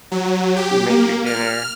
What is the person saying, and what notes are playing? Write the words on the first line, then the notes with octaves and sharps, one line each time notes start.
you make your dinner,
F#3
G4
A#3
F6